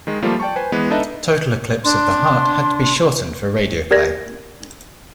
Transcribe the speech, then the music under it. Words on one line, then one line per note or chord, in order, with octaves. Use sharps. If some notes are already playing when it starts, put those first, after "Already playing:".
"Total Eclipse of the Heart" had to be shortened for radio play.
D#3 G#3
F3 G3 A3 A#3 F4
D5 G5 A5 C#6
B4 C5 G#5
E3 G#3 B3 B4
D4 D#4 A4 B4 D#5 E5
D4 C6
G4 A#4 D5 G#6 A#6